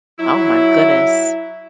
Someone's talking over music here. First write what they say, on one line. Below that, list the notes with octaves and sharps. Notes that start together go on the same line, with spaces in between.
Oh my goodness.
F#3 E4